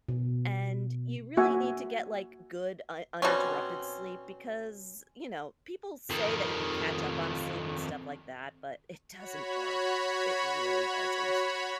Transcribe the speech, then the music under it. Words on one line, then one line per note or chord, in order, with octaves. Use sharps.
and you really need to get, like, good un uninterrupted sleep because, you know, people say that you could catch up on sleep and stuff like that, but it doesn't work. It really doesn't.
B2
A#3 F#4 E5 G#5
B2 G3 C4 C#4
F2 D#3
F#4 C#5 B5